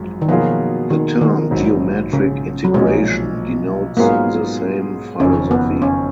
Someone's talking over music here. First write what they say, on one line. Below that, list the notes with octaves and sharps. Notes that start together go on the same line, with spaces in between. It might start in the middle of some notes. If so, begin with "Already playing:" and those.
The term "geometric integration" denotes the same philosophy.
Already playing: G#1 F#2 F3 G#3
D#3
B2 F3 F#3 A#3 F4 G#4
D#3
D#3
A#1 G#2 F#3
C#3
F#3
B1 A#2 F3 G#3
G#2 F#3 A#3 B3 F4 G#4
F#1 F2 D#3 C#4
B3
C#4